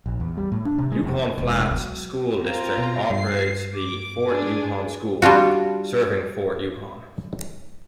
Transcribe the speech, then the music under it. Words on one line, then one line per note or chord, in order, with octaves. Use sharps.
Yukon Flats School District operates the Fort Yukon School, serving Fort Yukon.
A#1
E2
G3
A2
D4
C3
G#3
F1
E1
F#3
C4 F4 A#5
B2
G2 C7
D6
D4 G#4
G3 D4 F4 F#4